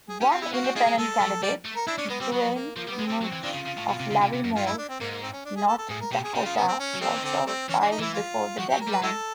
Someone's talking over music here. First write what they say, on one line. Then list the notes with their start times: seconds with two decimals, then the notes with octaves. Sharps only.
One independent candidate, Duane Mutch of Larimore, North Dakota, also filed before the deadline.
0.09 G#4
0.20 C#4 G4
0.30 C4 F4
0.41 B3 E4
0.53 A#3 F#4
0.64 C4
0.75 A#3 D#4 F4 G#4
0.87 G#3
0.97 G#3 A4
1.20 F#3
1.42 G3 D5
1.65 A3
1.76 A#4
1.87 D4 E4
1.98 C#4 D4
2.09 G#3 B3
2.20 G3 C4
2.32 F#3 B3
2.54 A#3
2.76 F3 A#3
2.87 G3
2.91 B3
2.99 G#3
3.06 G3 C4
3.21 F#3 C4
3.33 E3
3.44 D#3 C4 D4 F4
3.55 C#3
3.66 C#3
3.78 A2
3.89 B2
4.00 C3
4.11 C#3
4.22 C3
4.33 C3
4.44 F#2
4.56 G2 F4
4.66 E4
4.78 D4
4.89 C4
5.00 G#2 A#3
5.11 A#3
5.23 C4
5.33 C#4
5.45 D4
5.56 G#4
5.67 A4
5.78 A4
5.89 A2 G#4
6.01 A#4
6.12 B2 G4
6.23 G#4
6.34 C#3 G4
6.45 F4
6.57 B3
6.68 C4
6.79 C#4
6.94 F#3
7.01 F3 G3 A3 C4
7.09 E3
7.16 D#3
7.23 D3 C4
7.46 G3 A3 C4
7.69 E3 C#4
7.80 E3 D4
7.91 D#4
7.99 E3 E4
8.13 F4
8.58 F3 F#4
8.69 F#3 G4
8.81 A#4
8.88 G3
8.91 B4
9.02 G#3 E4 F#4 A4